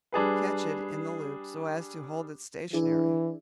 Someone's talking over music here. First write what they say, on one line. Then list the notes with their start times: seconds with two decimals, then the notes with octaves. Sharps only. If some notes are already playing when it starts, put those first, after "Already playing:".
Catch it in the loop, so as to hold it stationary.
0.12 G3 D4 G#4 B4
2.73 E3 D4 E4 G#4